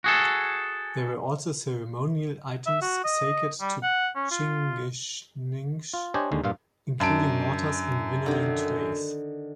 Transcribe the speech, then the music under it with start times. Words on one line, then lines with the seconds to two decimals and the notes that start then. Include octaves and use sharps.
There were also ceremonial items sacred to Chingichngish, including mortars and winnowing trays.
0.04 F#4 G#4 A4
2.66 E5
2.82 F#4
3.04 D#5
3.61 G3
3.83 F#5
4.16 C#4
4.31 F4
5.94 F4
6.14 D4 G4 C5 C#5 D#5 G#5
6.32 D#2 D3 G#3
6.44 G2 A#2 F4 F5
7.00 F#2 D4 A5 D7
8.26 D3 D#3